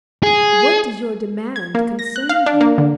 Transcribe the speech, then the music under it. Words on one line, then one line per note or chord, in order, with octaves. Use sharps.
What does your demand concern him?
G#4
G#6
A#3
A#6
F#6
F5
D4
A#3
D3